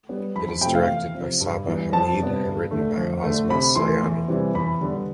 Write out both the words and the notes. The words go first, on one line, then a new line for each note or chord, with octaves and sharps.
It is directed by Saba Hameed and written by Asma Sayani.
G3 B3
F2 B5
B5
C3 F3 A3 G5
F5
E2
C3 F3
G2
E3 G3 B3
F2 A5
C3 G3 B3
G2
D3 A3
F2
D3 A3
C3 B5
E3 A3 C6
E2
C3 E3 G3
E2 B5
D3 G3 B3